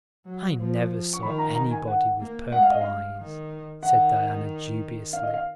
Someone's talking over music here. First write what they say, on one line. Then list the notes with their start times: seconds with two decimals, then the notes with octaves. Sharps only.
"I never saw anybody with purple eyes," said Diana dubiously.
0.25 F#3
0.57 F3
1.13 C#6
1.23 D#3 B5
1.38 A#5
1.55 A#5
1.71 G#5
1.88 F#5
2.20 A#3
2.52 G#3 F#5
2.63 F5
2.71 D#5
2.81 F5
3.17 D#3
3.83 D#3 F#5
5.13 F5
5.23 D#5
5.34 F5